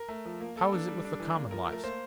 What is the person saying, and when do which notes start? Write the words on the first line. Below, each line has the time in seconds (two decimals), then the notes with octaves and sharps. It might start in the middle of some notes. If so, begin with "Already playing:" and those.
How is it with the common lives?
Already playing: A#4
0.08 A3
0.26 F3
0.40 A#3
0.56 A#3 A4
0.73 D4
0.88 G3
1.05 D4
1.20 E3
1.35 A#3
1.51 F3 A#4
1.67 A3 A#4
1.84 A#3 C5